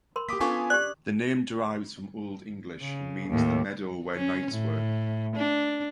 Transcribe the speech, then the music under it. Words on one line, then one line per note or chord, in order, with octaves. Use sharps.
The name derives from Old English and means the meadow where knights were.
A#4 B5 C6
A#3 G4 D6 D#6 B6
B3 C#4 D4 F4 A4 G#5 C#6 D6
G4 D5 F#6
C#3
D#2 A2
C#4
A2
D4